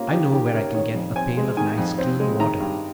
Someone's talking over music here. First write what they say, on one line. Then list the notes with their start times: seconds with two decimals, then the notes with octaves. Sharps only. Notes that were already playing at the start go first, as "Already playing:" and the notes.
"I know where I can get a pail of nice clean water."
Already playing: A#3 C#4 F4
0.13 D#3 G4
0.33 D#3 G4
0.53 C#4 A#4
0.74 D#3 C#5
0.95 F2
1.16 C4 G#5
1.37 G#3
1.57 D#3 G#5
1.78 F2
1.98 C4
2.20 G#3
2.40 D#3 A#5
2.60 G2